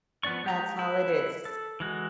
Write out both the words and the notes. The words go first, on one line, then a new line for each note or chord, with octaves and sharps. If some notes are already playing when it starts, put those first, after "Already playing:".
That's all it is.
F3 B3 C#4 D5 C#6
G#3 G4 A#5
E4 B4
A4
E3 G#3 F#4